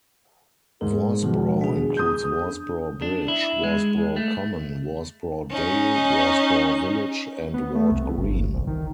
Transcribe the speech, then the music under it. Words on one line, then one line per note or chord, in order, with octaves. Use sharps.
Worsbrough includes Worsbrough Bridge, Worsbrough Common, Worsbrough Dale, Worsbrough Village and Ward Green.
G#2 A#4
B2 D#3 F3 G#3
D4 G#4
D#6 G6
D4
E4
G#3
A3
C#4 D#4
B3
A3
C2
G1
C2
D#3